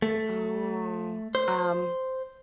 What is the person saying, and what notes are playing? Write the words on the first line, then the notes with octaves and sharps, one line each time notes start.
Oh. Um
A3
C5